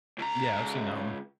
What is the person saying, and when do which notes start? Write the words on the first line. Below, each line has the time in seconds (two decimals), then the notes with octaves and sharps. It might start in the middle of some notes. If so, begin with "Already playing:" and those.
Yeah, I've seen that one.
0.19 C#2 A#5